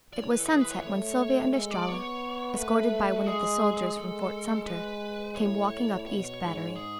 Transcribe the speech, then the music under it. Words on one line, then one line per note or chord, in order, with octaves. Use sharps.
It was sunset when Sylvia and Estralla, escorted by one of the soldiers from Fort Sumter, came walking up East Battery.
E3 D5
C#5
B4
A4
G#4
B4
C#5
A3 C#5
G#3 A4
D5
B3 C#5
A3 B4
F#4
G#3 G#4
G#3 A4
B4
A2 C#5
B2 C#5
G#2
G#4